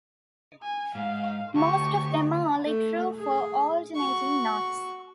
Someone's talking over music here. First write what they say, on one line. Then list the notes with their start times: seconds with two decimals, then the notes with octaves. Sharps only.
Most of them are only true for alternating knots.
0.63 G#5
0.95 G#2 F5
1.55 D2 G4 C#6
2.65 A3
3.18 G#4
3.95 F#4 C#6